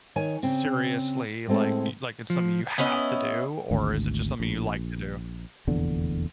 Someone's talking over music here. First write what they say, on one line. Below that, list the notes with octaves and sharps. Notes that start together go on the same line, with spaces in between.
seriously, like y like it's something you have to do, or is it just something you like to do?
D#3 C#5 G#5
C#3 C4
A2 G#3 C4 A4
F3
B3 C#4 E4 D#5
G#1 D2
A#1
F1 A#1 E2 D3